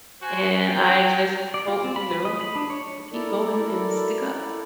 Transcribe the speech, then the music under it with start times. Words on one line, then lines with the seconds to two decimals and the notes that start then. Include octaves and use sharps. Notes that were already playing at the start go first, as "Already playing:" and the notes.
and I just hope, you know, people keep voting and stick up.
0.22 F#4 C5 G#5
0.66 G5
1.54 D5
1.68 F4
1.84 C4
1.96 B5
2.11 B4
2.25 D#5
2.41 B5
2.56 D4
2.70 C#5
3.13 E4 A4 A#4 D5